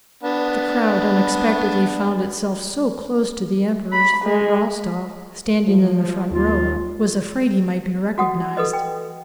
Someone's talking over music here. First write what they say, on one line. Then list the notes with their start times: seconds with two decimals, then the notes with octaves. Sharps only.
The crowd unexpectedly found itself so close to the Emperors that Rostov, standing in the front row, was afraid he might be recognized.
0.24 B3 D4
3.92 B5
4.25 G#3
5.67 F3
6.31 D#2 F4
8.18 F#4 F#5 D#6
8.57 A4 B4 D#5
8.73 G5